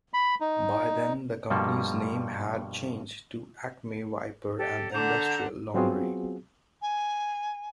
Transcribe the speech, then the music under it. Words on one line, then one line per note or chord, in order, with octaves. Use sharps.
By then, the company's name had changed to Acme Wiper and Industrial Laundry.
B5
D#4
G2 B2 F3 G3 A#3 A4
G4 A4
D3 F#5 A5 A#5 G6
F#3 B3 C4 F4 F#4 G#4
G#5